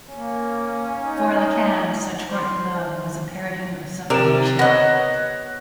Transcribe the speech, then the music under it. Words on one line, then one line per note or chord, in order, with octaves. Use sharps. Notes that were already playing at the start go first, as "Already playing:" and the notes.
For Lacan such courtly love was 'a paradigm of sublimation'.
A#3 C#4
D#4
C5
C3 A#4 D5 E7
B3 C#5 D#5 F#6 A#6